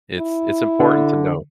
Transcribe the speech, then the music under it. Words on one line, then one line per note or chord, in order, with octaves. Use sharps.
it's, it's important to know.
E4
D3